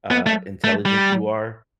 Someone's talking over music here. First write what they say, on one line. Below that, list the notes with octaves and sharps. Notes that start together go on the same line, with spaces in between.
uh, intelligent you are.
B3
A3
A3
G3